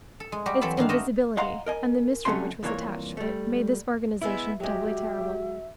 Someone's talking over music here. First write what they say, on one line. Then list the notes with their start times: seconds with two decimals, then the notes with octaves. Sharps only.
Its invisibility, and the mystery which was attached to it, made this organization doubly terrible.
0.20 A4
0.32 G#3
0.46 G3 F#4 G4
0.61 E3 F#3 C4 A4 A5 B5
0.77 G2 D#3 D4 F5
0.89 F#4 A#4 C5 D#5 E5
1.37 D#5 F5 F#5 A#5 C6
1.66 A#4 D#5 G#5
2.25 C2 C3 F#3 A3 C#4 C6
2.63 C2 A#2 E3 A#3 C#5
3.17 G3 A3
4.22 G#3 B3 E4 E5
4.60 F#3 G#3 F#4 G4 E5